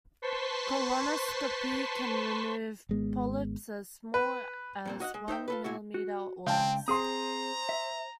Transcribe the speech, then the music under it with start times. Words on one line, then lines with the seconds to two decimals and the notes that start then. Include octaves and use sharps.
Colonoscopy can remove polyps as small as one millimetre or less.
0.22 B4 C5 A5 C6 C#6 B6
2.89 G#1 G#3 B3
4.14 B4
4.85 F2 A#2 C4
5.00 F#4 D#5 F5 F#5
5.14 G#3
5.28 D#4 C5 E5 G5
5.48 F4 A4 B4
5.64 A#2 E4 F#4
5.94 F#4
6.47 C#3 G#3 C4 F5 G5 A5 G6
6.88 C4 G#4 C5 A#5 C6 D#6
7.69 E5